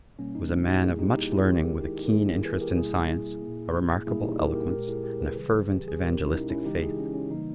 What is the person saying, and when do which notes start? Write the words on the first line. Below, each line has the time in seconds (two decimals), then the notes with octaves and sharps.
"He was a man of much learning, with a keen interest in science, a remarkable eloquence, and a fervent evangelistic faith."
0.19 B2 G3 A#3 C#4
0.35 D#4
0.67 D#4 G4
0.83 A#2 G3 A#3 E4 G#4
0.99 D#4 G4
1.16 D#4 G4
1.32 E4 G#4
1.48 D#3 G#3 G4 A#4
1.64 E4 G#4
1.80 D#4 G4
1.97 D#4 G4
2.06 A#4
2.12 D#3 G3 A#3 E4 G#4
2.29 G4 A#4
2.45 G#4 B4
2.61 G4 A#4
2.77 B2 G3 A#3 E4 G#4
3.42 A#3
3.47 A#2
4.07 A#2 G3 A#3 E4 G#4
4.23 D#4 G4
4.39 G4 A#4
4.55 G4 A#4
4.71 A#2 G#3 G4 A#4
4.88 E4 G#4
5.04 G4 A#4
5.20 G#4 B4
5.36 C#3 E3 G3
5.75 G4
5.88 G#4
6.02 B2 G#3 G4 A#4
6.17 C#4
6.27 E4
6.34 D#4
6.50 C#4 E4
6.65 C#3 E3 G#3 D#4 G4
6.82 E4 G#4
6.99 C#4
7.14 C#4
7.31 C#3 E3 G3 A#3 D#4